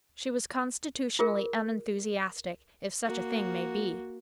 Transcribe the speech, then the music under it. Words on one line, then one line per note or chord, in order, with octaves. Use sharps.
She was constitutionally unenthusiastic, if such a thing may be.
F4 G#4 A#4
A#3 F#4